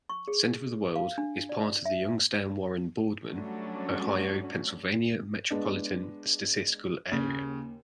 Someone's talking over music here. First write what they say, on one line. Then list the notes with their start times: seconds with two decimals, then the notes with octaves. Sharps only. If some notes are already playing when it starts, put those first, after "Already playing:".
Center of the World is part of the Youngstown-Warren-Boardman, Ohio-Pennsylvania Metropolitan Statistical Area.
0.09 C#6
0.28 G#4
0.96 F5
1.18 D4
1.49 D5
1.86 E5
3.27 F#3 G3 A3 C#4 D4 F#4
5.50 G#3 B3 D4
7.11 D#2 C#3